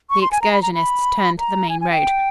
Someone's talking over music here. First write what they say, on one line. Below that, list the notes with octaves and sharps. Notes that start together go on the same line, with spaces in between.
The excursionists turned to the main road.
C#6
C6
G#5
A#5
B5
A#5
B5
A#5
G#5
G#5
G5